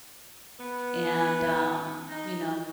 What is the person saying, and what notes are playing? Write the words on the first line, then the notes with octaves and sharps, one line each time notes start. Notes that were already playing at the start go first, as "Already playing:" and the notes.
and, um, you know,
B3
D#4